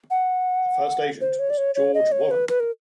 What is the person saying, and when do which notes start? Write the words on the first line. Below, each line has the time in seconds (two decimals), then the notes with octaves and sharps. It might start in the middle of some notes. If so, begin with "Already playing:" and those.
The first agent was George Wallen.
0.10 F#5
1.21 C5
1.39 C#5
1.50 D5
1.58 C#5
1.75 C#5
1.94 D#5
2.12 C#5
2.31 B4
2.49 B4
2.60 A#4